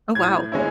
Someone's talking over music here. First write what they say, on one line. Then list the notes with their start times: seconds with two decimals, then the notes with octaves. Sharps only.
Oh, wow.
0.15 A2 G#6
0.52 G#3 C#4 E4